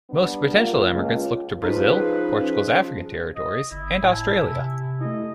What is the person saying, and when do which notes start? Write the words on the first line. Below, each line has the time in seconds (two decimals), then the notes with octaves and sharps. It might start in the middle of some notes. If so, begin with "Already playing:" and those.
Most potential emigrants looked to Brazil, Portugal's African territories, and Australia.
0.10 G3 B3 D4
0.56 A#3 F4
0.93 C#2
1.62 F3 C#4 D#4 F4 G#4 B4
3.36 D#5
3.72 G1 E4
4.03 A2 G#5 A5 G#6
4.51 C3
5.01 A3 E4 D#5